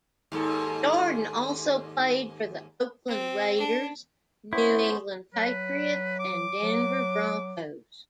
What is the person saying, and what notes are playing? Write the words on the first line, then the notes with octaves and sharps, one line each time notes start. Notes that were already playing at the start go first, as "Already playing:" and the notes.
Jordan also played for the Oakland Raiders, New England Patriots and Denver Broncos.
D#2 G#2 A4
C4
D4
B3 C#4 E4 C5
F#3 B4
D6
F#3